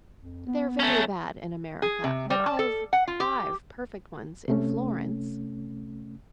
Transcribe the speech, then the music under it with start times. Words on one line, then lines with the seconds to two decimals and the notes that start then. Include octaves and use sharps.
"They're very bad in America, but I've five perfect ones in Florence."
0.19 F2
0.46 B3
0.80 A3 C#4
1.82 G#4
2.04 C3
2.30 G3
2.46 A5
2.59 A4
2.93 F#5
3.07 F4
3.20 G4
4.48 C3 A3 C#4